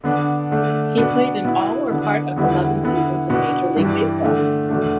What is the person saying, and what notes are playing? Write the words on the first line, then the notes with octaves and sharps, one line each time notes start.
He played in all or part of eleven seasons in Major League Baseball.
D3 B3 D4
D3 A3 D4
B2 B3 D4
B2 B3 E4
D3 B3 D4
E2 D3 G3 B3 E4
D3 B3 E4
B2 B3 D4
G2 E3 G3 D4
D3 A3 D4
E2 B2 A3 D4